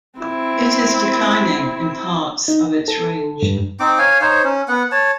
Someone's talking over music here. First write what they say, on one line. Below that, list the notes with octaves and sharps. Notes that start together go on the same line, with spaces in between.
It is declining in parts of its range.
C4 E4
D#4
A4
G2
C4 D#4 D6
C#5 F5 G#5
D#4 C5 C#5
C#4
B3 F#5
C#5 A5